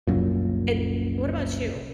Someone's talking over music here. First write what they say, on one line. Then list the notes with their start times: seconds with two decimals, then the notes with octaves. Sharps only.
And, what about you?
0.07 F#1 C2 F#2 A#2